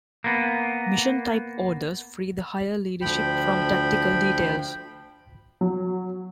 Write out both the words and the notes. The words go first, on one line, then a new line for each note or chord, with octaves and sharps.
Mission-type orders free the higher leadership from tactical details.
A#3 B3
D2 F3 G5 B5
F#3